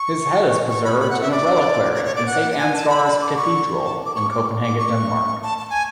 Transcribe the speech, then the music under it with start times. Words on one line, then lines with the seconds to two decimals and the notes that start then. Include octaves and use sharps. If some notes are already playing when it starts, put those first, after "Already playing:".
His head is preserved in a reliquary in Saint Ansgar's Cathedral in Copenhagen, Denmark.
Already playing: C#6
0.69 C#6
0.85 B5
1.00 B5
1.10 F#5
1.22 E5
1.32 D5
1.95 C#5
2.05 C#5
2.16 D5
2.26 F#5
2.51 F#5
2.58 G#5
2.74 A5
2.89 B5
3.06 B5
3.21 D6
3.37 C#6
3.84 A5
4.06 D6
4.15 C#6
4.31 D6
4.64 D6
4.78 C#6
5.43 A5
5.58 A5
5.70 G#5